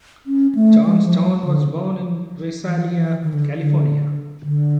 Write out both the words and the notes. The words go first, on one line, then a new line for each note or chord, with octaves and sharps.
Johnston was born in Visalia, California.
C#4
A3
G#3
F3
F#3
D3
E3
E3
D#3
D3
D3
D3